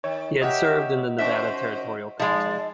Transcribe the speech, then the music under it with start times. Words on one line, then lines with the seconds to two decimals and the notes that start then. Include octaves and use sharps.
He had served in the Nevada Territorial Council.
0.04 D#3 C#5
0.42 G4 A#4 C#5 D#5 E5 F#5
1.19 D#3 C#4 F#4 C5 E5
2.20 F3 G#3 D#4 D5